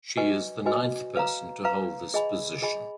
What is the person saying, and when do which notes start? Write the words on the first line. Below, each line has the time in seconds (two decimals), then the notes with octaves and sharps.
She is the ninth person to hold this position.
0.17 F#4 B4 D#5 G#5 C#6
0.66 F#4 B4 D#5 G#5 C#6
1.15 B4 F5 A#5
1.64 B4 F5 A#5
2.14 G#4 D#5 G#5 B5
2.62 G#4 D#5 G#5 B5